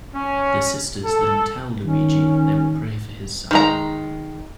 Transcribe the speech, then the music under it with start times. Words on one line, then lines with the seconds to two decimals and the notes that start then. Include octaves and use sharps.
The sisters then tell Luigi they will pray for his son.
0.13 C#4
1.04 A4
1.85 D#3 C#4
3.51 D#3 G#3 A#5